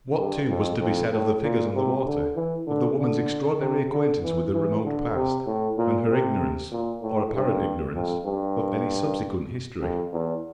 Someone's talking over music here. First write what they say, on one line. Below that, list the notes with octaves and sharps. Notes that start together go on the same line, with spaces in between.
What, too, was to be said of the figures on the water, of the woman's extraordinary acquaintance with the remote past, and her ignorance, or apparent ignorance, of any subsequent history?
G2
F2
F2
A2
A#2
C3
D3
E3
D3
D3
C3
D3
E3
E3
D3
C3
A2
A#2
C3
A#2
A2
G2
F2
G2
F2
E2